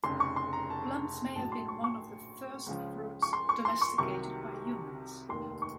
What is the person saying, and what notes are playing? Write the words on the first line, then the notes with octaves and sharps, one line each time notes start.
Plums may have been one of the first fruits domesticated by humans.
F1 F2 C#3 C6
C#6
C6
A#5
A5
A#1 A2 F#3 A5
C6
C#6
C#6
C#2 C#3 F3
C#6
C6
C#6
C6
C#6
C2 C3 D#3 F#3 C#6
F1 D#2 D#3 C6
C#6